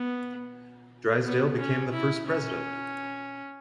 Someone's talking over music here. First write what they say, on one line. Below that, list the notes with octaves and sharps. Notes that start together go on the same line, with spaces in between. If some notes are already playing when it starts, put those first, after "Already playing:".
Drysdale became the first President.
Already playing: B3
B3
C#4
E4
C#4